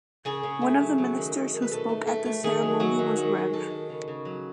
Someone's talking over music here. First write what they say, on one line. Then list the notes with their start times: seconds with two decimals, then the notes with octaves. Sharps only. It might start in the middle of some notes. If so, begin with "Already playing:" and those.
One of the ministers who spoke at the ceremony was Rev.
0.25 C#3 G#4
0.43 C#3
0.62 A3
0.80 F#3
0.98 F#3
1.17 D#3
1.34 D#3
1.53 D#3
1.62 B4
1.71 B2 A4
1.89 A3
2.07 A3 A4
2.25 A3
2.43 D#3 G#4
2.62 F#3
2.80 F#3 F#4
2.99 D#3
3.16 D#3 F#4
3.35 G#3
3.53 D#3 A4
3.71 D#3
3.90 C#3
4.08 C#3
4.25 F#3